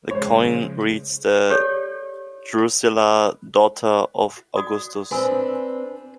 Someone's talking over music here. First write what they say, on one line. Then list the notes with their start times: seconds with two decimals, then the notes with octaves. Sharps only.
The coin reads to Drusilla, daughter of Augustus.
0.11 C#3 F3 G#3 C5 C#5
1.50 G4 A4 C#5 D5
4.56 F#4 D5 D#6
5.11 C4 D4 F#4 B4 G#5 E6